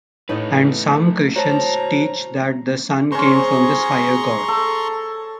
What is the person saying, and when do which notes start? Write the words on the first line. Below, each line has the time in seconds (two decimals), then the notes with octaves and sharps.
And some Christians teach that the Son came from this higher god.
0.29 A2 A3 D#4 B4 D#5
1.36 F#4 C5 C#5 A5 A#5
3.12 C#4 G#4 C5 A#5 C6 C#6
4.48 A4